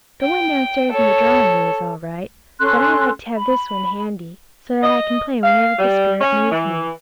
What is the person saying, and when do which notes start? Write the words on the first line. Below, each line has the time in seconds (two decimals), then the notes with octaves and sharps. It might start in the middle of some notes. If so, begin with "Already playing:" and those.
The one downstairs in the drawing room is all right, but I like to have this one handy, so that I can play whenever the spirit moves me.
0.21 G5
0.91 A4 C#5
2.59 C#4 A4 C6 F#6
3.37 B5
4.83 D#5
5.43 F5
5.79 G3
6.20 C#4
6.50 E3